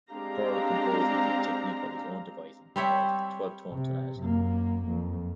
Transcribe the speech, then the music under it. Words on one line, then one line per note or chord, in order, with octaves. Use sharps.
Perle composed with a technique of his own devising called "twelve-tone tonality".
G#3 C4 D4 G4 F5 A#5
G3 C4 C#5 E5
C3
F#2 A#3
F2